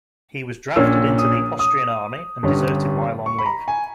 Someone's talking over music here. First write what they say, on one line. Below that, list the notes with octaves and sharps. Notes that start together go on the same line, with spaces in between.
He was drafted into the Austrian Army, and deserted while on leave.
A#1 A#2 A#3 C#4 E6
D#6
D#6
G1 G2 G3 C#4
C#6
B5
A#5
G#5